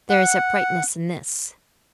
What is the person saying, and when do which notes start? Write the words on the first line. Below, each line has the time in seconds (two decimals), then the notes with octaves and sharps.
There is uprightness in this.
0.09 F#5